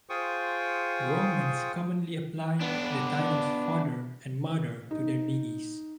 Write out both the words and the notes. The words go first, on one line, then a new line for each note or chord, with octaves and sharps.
The Romans commonly applied the titles "father" and "mother" to their deities.
F4 G#4 C5 G5 C#6 D#6
B3 D4
D#4